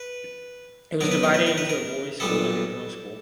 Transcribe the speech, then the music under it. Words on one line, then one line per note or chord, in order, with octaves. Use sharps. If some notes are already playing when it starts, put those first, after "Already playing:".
It was divided into a boys' school and a girls' school.
Already playing: B4
B2 F#3 B3 A#4
B4
A#4
B4
A#4
B4
A#4
B1 A#2 G3 B3 A4